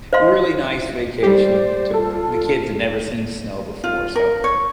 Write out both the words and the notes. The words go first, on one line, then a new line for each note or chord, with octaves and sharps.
really nice vacation. Took the the kids had never seen snow before so,
C5 D#5 F5 C6
G3 G4 C5 D5
F4 A4
F4
A#4
C#5